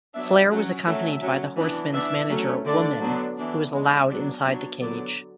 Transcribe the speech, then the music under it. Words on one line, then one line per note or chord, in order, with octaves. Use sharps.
Flair was accompanied by the Horsemen's manager Woman who was allowed inside the cage.
F#3 B3 D4 E5
F#3 C#4 F#5
F#3 A3 C#4 E5
F#3 C#4
E3 B3 D4
E3 B3 D4 E5
F#3 A3 C#4
D3 A3 D4 D5
D3 F#3 B3 D4
E3 B3 D4
G#3 D4
F#3 B3 D4
F#3 B3 D4 C#5
D3 F#3 B3 D5